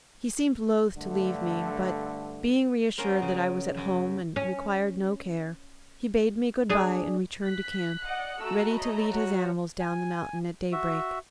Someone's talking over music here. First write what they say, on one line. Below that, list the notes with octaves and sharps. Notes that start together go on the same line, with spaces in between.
He seemed loath to leave me, but, being reassured that I was at home and required no care, he bade me good-bye and returned to camp, ready to lead his animals down the mountain at daybreak.
G2 D3 A3
B3 C#4 A#4 C5
C#3
F#2
C#4
D4 G#4
F#6 B6
D5 D#5 F#5
A3 F#4 A4 A#5 E6
C#5 D#5 B5
F#4 C#5
G#5
F#4 E5